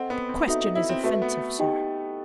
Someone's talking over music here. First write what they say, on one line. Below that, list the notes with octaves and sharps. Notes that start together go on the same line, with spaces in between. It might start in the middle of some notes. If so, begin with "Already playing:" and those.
"The question is offensive, sir."
Already playing: C4 A4 D#5 F#5 C6
B3
C4
D#4 F#4 A4 E5
D#4
E4
C4
A3 F#4 B4 E5
B3
D#4 G4 D#5 G5